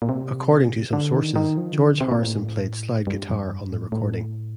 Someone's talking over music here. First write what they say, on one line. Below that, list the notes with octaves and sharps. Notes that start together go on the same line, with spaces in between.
According to some sources George Harrison played slide guitar on the recording.
A#2
C3
D3
D#3
D#3
F3
D3
D#3
D3
C3
A#2
A2
G2
F2
G2
A2
A2